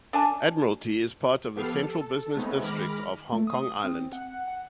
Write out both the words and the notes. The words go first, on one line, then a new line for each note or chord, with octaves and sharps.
Admiralty is part of the Central Business District of Hong Kong Island.
D4 G#5 A5
F3 B3 G4 A4 F6 C7
A4
G#3 A3 B3 C4 D#4 C#5
D#3 G#3 B5 D6 F6 A#6
A3
D#6
C4
F#5
F#5